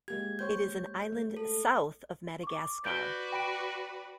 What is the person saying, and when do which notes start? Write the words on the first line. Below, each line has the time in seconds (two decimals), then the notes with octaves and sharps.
It is an island south of Madagascar.
0.08 G#3 A#3 G4 G#6
0.39 G#3 C5 C#5 G6
1.12 A3
1.37 A4
2.43 C#6 D6
2.85 F#4 B4 D5 G6 D7 G7
3.32 G5 B5 D7